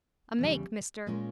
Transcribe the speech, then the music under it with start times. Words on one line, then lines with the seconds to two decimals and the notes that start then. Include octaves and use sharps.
A make, mister.
0.39 E2 C#3 G3
1.07 A#2 G#3 C#4 F4 A#4